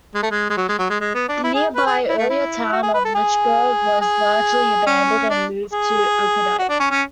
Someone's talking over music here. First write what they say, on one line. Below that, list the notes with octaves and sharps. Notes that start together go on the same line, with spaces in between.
The nearby, earlier town of Lynchburg was largely abandoned and moved to Opdyke.
G#3
A3
G#3
G#3
F#3
G#3
F#3
G#3
G#3
B3
D4
E4
G#4
B4
G#4
E4
A3
E4
F#4
G#4
B4
A4
G#4
G#4
C#4
D4
G#4
F#4
D4
C#4
C#4